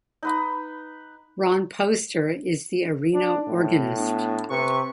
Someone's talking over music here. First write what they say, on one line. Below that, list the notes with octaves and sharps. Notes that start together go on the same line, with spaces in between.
Ron Poster is the arena organist.
D#4 B4 D#6
D4
A2
B3 D4
C3 B4 C#6